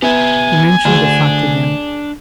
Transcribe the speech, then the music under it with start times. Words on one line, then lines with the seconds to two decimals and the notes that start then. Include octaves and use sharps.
He mentioned the fact again.
0.02 B3 G4 E5 G#5
0.85 D2 D4 G#4